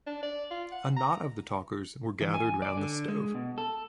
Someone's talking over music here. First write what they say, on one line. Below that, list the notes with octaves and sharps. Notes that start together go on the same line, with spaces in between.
A knot of the talkers were gathered round the stove.
D4
D5
F4
F#5
A#5
E3
G#5
D5
D3
G#3
B2
A4